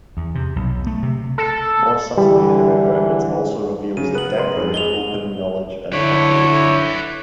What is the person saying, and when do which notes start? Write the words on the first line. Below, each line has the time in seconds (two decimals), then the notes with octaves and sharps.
More subtly, however, it also reveals the depth of his opening knowledge and preparation.
0.17 E2
0.35 C3
0.56 B1
0.87 A3
1.03 C3
1.38 A4
2.18 D3 E3 G3
3.97 C#3 F#3 D#7
4.14 B3 A#4 F#6 D#7 F#7
4.37 A#4 C6
4.57 F2 G#2
4.74 G#3 F7 G7
5.93 D3 E4 B4 C#5 D5